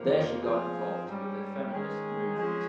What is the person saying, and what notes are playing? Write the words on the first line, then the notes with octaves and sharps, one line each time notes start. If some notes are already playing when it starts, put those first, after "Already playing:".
There she got involved with the feminist movement.
Already playing: F2 C3 F3 A#3
F3 C4 F4 G#4
G#2 G3 C#4 G4
D#3 G#3 C#4 G#4
F3 G#3 C#4 G#4